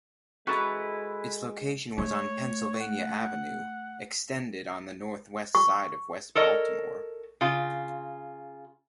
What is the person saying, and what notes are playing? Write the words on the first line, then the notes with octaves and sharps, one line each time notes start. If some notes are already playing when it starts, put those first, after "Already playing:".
Its location was on Pennsylvania Avenue "extended," on the northwest side of West Baltimore.
G#3 C#4 E4 F#4 A4 B4 A#5
A3 C#5
F#5
C#6
A4 A#4 C#5 D#5
C#3 F4